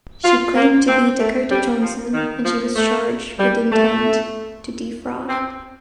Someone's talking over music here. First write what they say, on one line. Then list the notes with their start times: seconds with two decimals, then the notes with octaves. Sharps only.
She claimed to be "Dakota Johnson" and she was charged with intent to defraud.
0.24 F4
0.56 A#3
0.87 C4
1.20 A3
1.50 G3
1.82 F3
2.14 D#3
2.45 F3
2.76 A3
3.39 G3
3.71 A3
5.29 C4